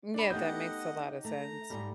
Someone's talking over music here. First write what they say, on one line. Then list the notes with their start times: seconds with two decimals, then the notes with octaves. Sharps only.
M yeah, that makes a lotta sense.
0.14 D4 B5
0.30 A3 B3 D#4 G4 D#5 F#5 G6
1.25 A3 A#5
1.70 G#2 G3 A3